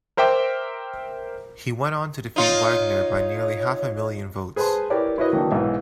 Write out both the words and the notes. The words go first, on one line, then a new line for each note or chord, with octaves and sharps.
He went on to defeat Wagner by nearly half a million votes.
A#4 C5 E5 G5 D6
D#4 F4 C#5
G#4 B4 C5 A5 C6
E4 G4 A#4 B4 C#5 D5
E4 F#4 A#4 B4 C#5 D#5
D#3 E3 F#3 A#3 D4 D#4
B1 G#2 E3 B4 E5